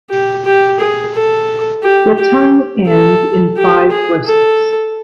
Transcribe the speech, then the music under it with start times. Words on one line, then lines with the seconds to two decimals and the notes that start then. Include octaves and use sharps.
The tongue ends in five bristles.
0.10 G4
0.45 G4
0.80 G#4
1.15 A4
1.84 G4
2.19 G4
2.87 A4
3.57 G4
3.92 G#4
4.27 A4